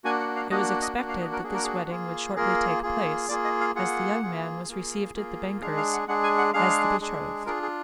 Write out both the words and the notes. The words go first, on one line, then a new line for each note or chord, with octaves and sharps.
It was expected that this wedding would shortly take place, as the young man was received at the banker's as the betrothed.
A#3 D4 F#4 G#5
F#5
F5
A#3 D4 F#4 D#5
D#5
A#3 D4 F#4 F5
F5
D#5
A#4
A#3 D4 F#4 G#4
A#4
G#4
A#3 F4 G#4
A#3 F4 G#4 A#4
A#3 F4 G#4
A#3 F4 G#4 D5
D#5
F5
A#3 F4 G#4 F#5
A#3 F4 G#4
A#3 F4 G#4
A#3 F4 G#4
G#3 D4 G#4 F5
F5
F#5
G#3 D4 G#4 F#5
G#5
F#5
G#3 D4 G#4 F5
G#3 D4 G#4
D4 F4 G#4 A#4
G#4